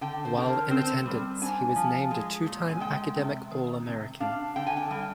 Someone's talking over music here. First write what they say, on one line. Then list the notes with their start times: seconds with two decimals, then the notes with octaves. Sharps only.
While in attendance, he was named a two-time Academic All American.
0.01 D3 G5
0.25 C5
0.37 D3
0.48 A#4
0.71 C4 C5
1.06 G3
1.42 D4 G#5
1.76 F3
2.11 G#3
2.46 A#2
2.70 G#5
2.80 G#3 G5
3.16 C3
3.51 D#3
3.86 C3
4.20 D4 F5
4.56 D3 G5
4.67 G#5
4.77 G5
4.91 G3 G5